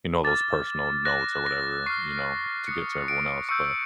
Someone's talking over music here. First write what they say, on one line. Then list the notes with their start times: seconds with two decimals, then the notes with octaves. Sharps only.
you know, those personal notes or whatever, you know, to get to everyone else, but,
0.24 D6 F6 A6
1.05 D6 F#6 A#6
1.46 A#6
1.86 C#6 F6 C7
2.67 D#6 F#6 C#7
3.08 D7
3.49 C#6 E6 G6 C#7